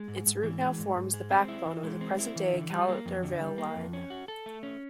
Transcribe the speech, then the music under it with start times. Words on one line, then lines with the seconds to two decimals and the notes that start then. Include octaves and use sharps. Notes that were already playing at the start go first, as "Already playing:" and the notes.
Its route now forms the backbone of the present-day Caldervale Line.
Already playing: G#3
0.08 G#2
0.26 G#2
0.43 E3
0.61 G#3
0.78 G#2
0.96 G#2
1.14 G#3
1.31 C4
1.48 E4
1.66 E3
1.83 G#3
2.01 C4
2.19 E4
2.36 E3
2.53 D3
2.70 G3
2.88 A#3
3.06 F2
3.23 D3
3.41 G3
3.58 A#3
3.75 F2
3.93 C#4
4.10 F#4
4.28 A4
4.46 A3
4.63 C#4